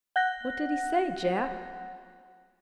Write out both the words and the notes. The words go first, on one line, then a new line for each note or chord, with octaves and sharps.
"What did he say, Jap?"
F#5 F#6 A#6